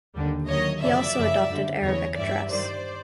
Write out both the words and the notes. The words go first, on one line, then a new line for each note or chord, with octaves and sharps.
He also adopted Arabic dress.
D#2 D3 G3
D#2 D#3 F#3 C#5 D#5
F#2 C#3 F3 D5 E5
F#2 C#3 F3
F#2 D3 G3
E2 C#3 E3 C#5 D#5
G2 E3 G3 D5 E5
G2 D#3 G3 C5 D5